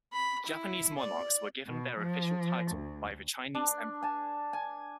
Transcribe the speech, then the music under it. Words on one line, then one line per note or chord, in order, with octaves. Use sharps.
Japanese monarchs were given their official title by the Chinese emperor.
B5
E4
D5
B2
F3
D2
D4
G#5 A5
G#5